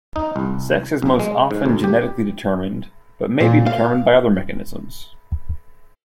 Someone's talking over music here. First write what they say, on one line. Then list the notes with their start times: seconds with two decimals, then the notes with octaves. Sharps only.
Sex is most often genetically determined, but may be determined by other mechanisms.
0.16 D#4
0.36 C2
1.02 B1
1.19 G#3
1.51 G#2
1.66 D2
1.84 G4
3.40 A#2
3.66 F5